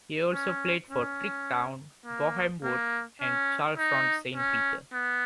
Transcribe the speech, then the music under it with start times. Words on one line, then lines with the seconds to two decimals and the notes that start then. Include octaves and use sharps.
He also played for Tring Town, Boreham Wood and Chalfont Saint Peter.
0.33 C#4
0.90 C#4
2.05 A#3
2.63 A#3
3.21 C#4
3.77 D#4
4.35 C#4
4.92 B3